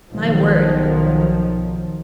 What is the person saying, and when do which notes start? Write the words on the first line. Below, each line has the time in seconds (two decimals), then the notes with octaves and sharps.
My word!
0.13 B1 D#3 F3